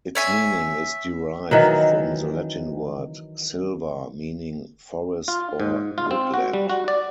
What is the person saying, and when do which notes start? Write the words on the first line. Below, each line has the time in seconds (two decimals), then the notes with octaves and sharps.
Its meaning is derived from the Latin word "silva" meaning 'forest' or 'woodland'.
0.15 C#5 E5 G#5
1.51 D#3 E3 F#3
5.28 F4
5.60 G#2
5.98 F4
6.11 C4
6.34 F#4
6.54 G3
6.70 F#4
6.88 D5